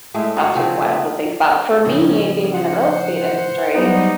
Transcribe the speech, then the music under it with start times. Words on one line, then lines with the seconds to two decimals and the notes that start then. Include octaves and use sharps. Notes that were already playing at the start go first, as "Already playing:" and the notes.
That's just wild to think about. For me, being in the real estate industry,
0.14 A2 G#3 A3 E4
0.36 F4 F#4 G#4
0.55 C#3 F3 C4
0.81 A3 B3
1.85 A2 C#3 F3 C#4
2.53 C5 F#5
3.75 F#3 G3 B3 D#4